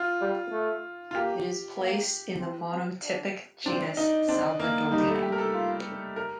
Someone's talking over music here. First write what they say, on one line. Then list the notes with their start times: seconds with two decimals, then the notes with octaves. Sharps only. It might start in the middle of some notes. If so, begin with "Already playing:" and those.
It is placed in the monotypic genus "Salvadorina".
Already playing: F4
0.21 G3
0.52 A3
1.11 F4
1.15 A#3 G4
1.78 A#3
2.40 C4
2.72 C4
3.04 D4
3.66 C4 D4
3.97 D#4
4.29 C4 D4
4.60 A#3
4.91 G3 D#4
5.07 A3
5.22 G4
5.32 A#4
5.38 A4
5.54 F4
6.16 A#4